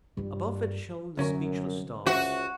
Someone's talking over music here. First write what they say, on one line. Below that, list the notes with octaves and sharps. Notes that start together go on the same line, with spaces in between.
Above it shone the speechless stars.
G2 G3 F4
C2 F#2 D3 C#4 A#4
C#2 F#4 C5 E5 F#5